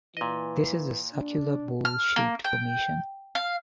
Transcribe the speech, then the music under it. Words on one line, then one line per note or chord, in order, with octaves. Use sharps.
This is a circular, bowl-shaped formation.
A#2 E3 D#5
D4
F6
A#3
G5
F5